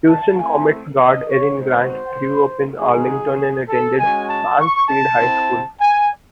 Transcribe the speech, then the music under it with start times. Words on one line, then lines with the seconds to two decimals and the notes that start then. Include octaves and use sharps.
Houston Comets Guard Erin Grant grew up in Arlington and attended Mansfield high school.
0.09 A5
0.39 A3 C4 E4 G#5
0.99 D#5
1.29 C#5
1.59 G#3 C4 D#4 F#4 C5
2.79 G#3 D#4 F#4 G#4
3.69 A4
3.99 G#3 C#4 F#4 G#5
4.30 A5
4.60 C#6
4.89 A5
5.19 C4 E4
5.80 G#5